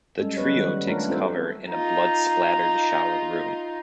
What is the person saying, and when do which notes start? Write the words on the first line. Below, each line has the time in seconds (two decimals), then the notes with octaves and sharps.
The trio takes cover in a blood-splattered shower room.
0.18 G3 G#3 C#4 A4
0.37 F#3 B3 B4 C#5
0.56 D#3 G3
0.87 A3 D4 F4 G4 A#4
1.08 C4 F4 A4 B4 C5
1.70 D#4 F4